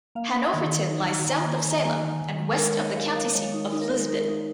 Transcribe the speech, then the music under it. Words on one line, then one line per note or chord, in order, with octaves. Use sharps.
Hanoverton lies south of Salem and west of the county seat of Lisbon.
A#3 F5
A#3
D#3
D#4
D#4
D#3
D#3 A#5
A#3
A#5
G#5
D#3
A#5
A#3 G#5
D#3
D#3
G#3
G#3 A#4
C#5
D#4
D#5
G#3 F5
G#3 F5
G#3 C#5
D#4
D#4
A#4
G#3
D#4 A#4
D#4